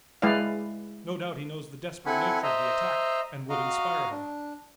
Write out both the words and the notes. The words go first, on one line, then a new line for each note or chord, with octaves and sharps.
No doubt he knows the desperate nature of the attack, and would inspire them.
G#3 E4 B4 D5 F5
C4 E4 A4 F#5 G#5 B5
C5 D#5 E5 A#5
F#4 D#5 F5 A#5
D4